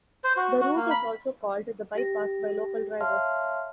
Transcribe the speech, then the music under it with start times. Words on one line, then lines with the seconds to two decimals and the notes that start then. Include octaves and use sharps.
The route is also called "the bypass" by local drivers.
0.24 C5
0.37 F#4
0.61 F#4
0.76 A#3
0.90 B5
1.95 G4 A#6
3.00 C#5 E5 F5 A5 C6 F6